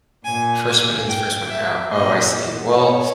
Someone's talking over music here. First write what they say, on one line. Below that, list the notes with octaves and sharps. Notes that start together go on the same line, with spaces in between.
First one in is first one out. Oh, I see. Well
A#2 G#5
G#5
G5
E5
A#2 D#5
C#5